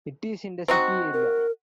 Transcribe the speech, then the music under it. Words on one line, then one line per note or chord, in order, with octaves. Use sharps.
It is in the city area.
C4 D#4 F#4
A#4